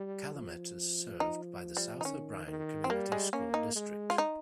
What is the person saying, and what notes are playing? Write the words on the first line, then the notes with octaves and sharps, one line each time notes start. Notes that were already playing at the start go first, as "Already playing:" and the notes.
Calumet is served by the South O'Brien Community School District.
Already playing: G3
F3
D#4
G3
D#4
D#3 C#4
D#3
C4
G3 A#3
G#3
A#3 C#4
D#4
G#3
F4
D#4